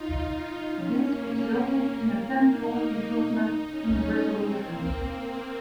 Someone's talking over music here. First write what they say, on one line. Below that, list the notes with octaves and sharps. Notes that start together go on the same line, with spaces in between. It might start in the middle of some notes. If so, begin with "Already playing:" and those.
This resulted in a tenfold improvement in resolution.
Already playing: D#4 F4
C#4
A#3
D#4
C#4
C#4
C4
A#3
A#3